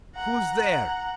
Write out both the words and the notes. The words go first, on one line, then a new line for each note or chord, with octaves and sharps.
'Who's there?
F#5 A#5